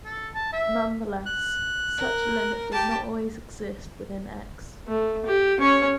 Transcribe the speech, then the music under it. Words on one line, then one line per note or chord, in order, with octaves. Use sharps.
Nonetheless, such a limit does not always exist within "X".
A4
A5
E5
F#6
A#4
G4 A5
A3
G4
C#4 C#5